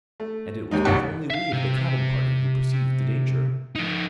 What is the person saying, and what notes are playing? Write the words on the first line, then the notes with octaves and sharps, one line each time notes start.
And it was not only we of the cabin party who perceived the danger.
A3
D#2 G#2 D#4
F1 C2 F#2
E5 F5
C3
F3 D#4